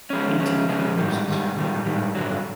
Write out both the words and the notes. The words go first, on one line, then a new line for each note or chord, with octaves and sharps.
ATV racers coming around a corner.
F3 G#3 C#4
F3 G#3 C#4
F3 G#3 C#4
G#2 D#3 G3
G#2 D#3 G3
G#2 D#3 G3
G#2 D#3 G3
G2 D3 F#3